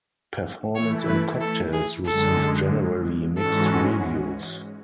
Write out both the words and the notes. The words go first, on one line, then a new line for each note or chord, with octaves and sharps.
"Performance and Cocktails" received generally mixed reviews.
E3 A3 E4 C#5
B4
A4
G#4
F#2 D3 G#3 A4
G#2 E3 G#3 C#4 F#4 A4